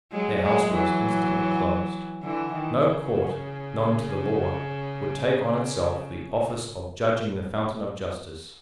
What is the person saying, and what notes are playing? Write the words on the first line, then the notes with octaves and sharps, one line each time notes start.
Their house was instantly closed. No court, known to the law, would take on itself the office of judging the fountain of justice.
F#3 G#3
F#3 G#3
E3 F#3
D3 E3
D#3
C#3